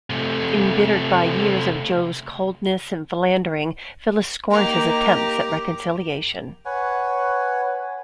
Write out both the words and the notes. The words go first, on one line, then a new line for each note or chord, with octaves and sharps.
Embittered by years of Joe's coldness and philandering, Phyllis scorns his attempt at reconciliation.
C3 A3
A#3 D#4 G4 A#5
B4 C#5 F#5 G#5